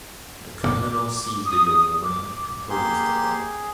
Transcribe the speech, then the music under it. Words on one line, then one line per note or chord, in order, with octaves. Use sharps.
The colonel sees the young woman and proposes to her.
D6
D#6
D6
A#3 G4 G#4 C6